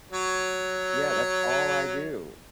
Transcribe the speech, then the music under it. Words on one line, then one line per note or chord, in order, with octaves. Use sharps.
Yeah. That's all I do.
F#3 C#5